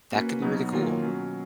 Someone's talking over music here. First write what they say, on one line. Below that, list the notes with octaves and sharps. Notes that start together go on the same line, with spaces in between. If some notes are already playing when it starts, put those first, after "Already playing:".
that could be really cool.
A#3 C#4 F#4 B4
B2 F#3 B3 D#4
D#3 F#3 A#3 F4 A#4
B2 F#3 C#4